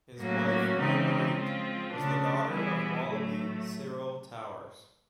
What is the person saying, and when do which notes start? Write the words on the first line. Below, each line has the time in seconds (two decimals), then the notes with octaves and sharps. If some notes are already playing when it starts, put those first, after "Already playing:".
His wife Margariete was the daughter of Wallaby Cyril Towers.
0.20 A2 F#3 A#3 C#4 F#4
0.78 C#3 E3 G#3 C4 D#4
1.35 F3 G#3 C4 F4
1.92 C#3 F3 A3 D4
2.50 E3 G3 B3 E4 G#4
3.07 A2 F#3 A3